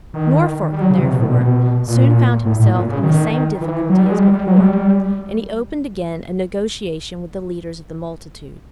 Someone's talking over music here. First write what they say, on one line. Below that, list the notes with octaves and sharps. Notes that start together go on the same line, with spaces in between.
Norfolk, therefore, soon found himself in the same difficulty as before; and he opened again a negotiation with the leaders of the multitude.
D#3
G3
F#3
C#3
C3
B2
A2
B2
A#2
A2
A2
A#2
C#3
D#3
E3
F#3
G3
G#3
G3
G3
F#3
G#3
G3